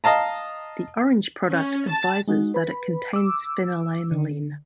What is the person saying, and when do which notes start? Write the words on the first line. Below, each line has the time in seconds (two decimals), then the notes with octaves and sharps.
The orange product advises that it contains Phenylalanine.
0.04 D#5 F5 A5 A#5
1.50 C#4
1.89 A5
2.28 G#3 D#4 F#4
2.54 B4 B5
3.13 D6 E6
4.11 D3